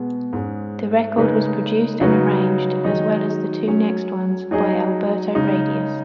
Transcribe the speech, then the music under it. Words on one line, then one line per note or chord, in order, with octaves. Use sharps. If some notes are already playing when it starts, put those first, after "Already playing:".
The record was produced and arranged, as well as the two next ones, by Alberto Radius.
Already playing: B2 G#3 B3
G#2 G#3 C#4
C#3 G#3 D#4 B4
C#3 F#3 D#4 F#4 B4
D#3 F#3 D#4 G#4 D#5
F#3 C#4 G#4 C#5
F#3 D#4 G#4 D#5
C#3 G#3 D#4